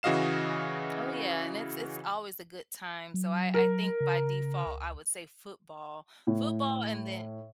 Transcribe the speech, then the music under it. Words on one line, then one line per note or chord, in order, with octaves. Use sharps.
Oh, yeah and it's it's always a good time so, I I think by default, I would say football. Football and then
C#3 E3 F#4 D#5 F5 E7
F#3
A#4
C#3
C#2
A2